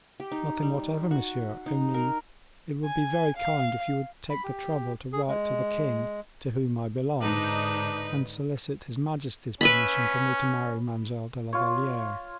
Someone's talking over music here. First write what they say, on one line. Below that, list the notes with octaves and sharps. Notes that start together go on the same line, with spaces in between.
"Nothing whatever, monsieur, only it would be very kind if you would take the trouble to write to the king, to whom I belong, and solicit his majesty's permission for me to marry Mademoiselle de la Valliere."
G4
D#4
G3
F#4
D#4
A#4
G#5
F5
B5
G4
G#4
G#3
G#2 D3 D4 D#4 B4
C#4 B4 E5 B5
F4 C#5